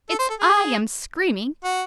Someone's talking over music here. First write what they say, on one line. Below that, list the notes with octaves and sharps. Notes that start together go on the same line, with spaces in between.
It's I am screaming.
A4
C5
A4
G#4
F#4